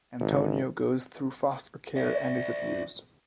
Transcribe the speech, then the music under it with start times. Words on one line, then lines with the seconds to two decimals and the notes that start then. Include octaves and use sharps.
Antonio goes through foster care and is abused.
0.20 G#1
1.96 D5 E5